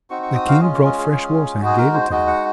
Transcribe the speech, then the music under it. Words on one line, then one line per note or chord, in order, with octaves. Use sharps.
The King brought fresh water and gave it to him.
C4 D#4 F#4 C#6
C#6
D#6
F5
G#3 C#4 F4 D#5
D#5
G#4
G#3 C#4 F4
G#3 D#4 F#4 G#4
A#4
C5
G#3 D#4 F#4 D#5
F#5